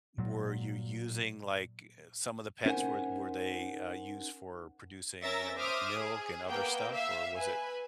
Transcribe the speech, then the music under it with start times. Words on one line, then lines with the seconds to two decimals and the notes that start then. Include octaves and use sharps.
were you using like, eh, some of the pets were were they, uh, used for producing, you know, milk and other stuff, or was it
0.18 A#2 F#3
2.66 C#4 D#4 A#4 C5 F#5 G#5
5.23 C#4 A#4 E5 A6 A#6
5.56 C5 E5 D6 D#6 F6
5.94 G#4
6.48 A#3 B3 G5
6.92 E5 F5
7.35 B4 G#5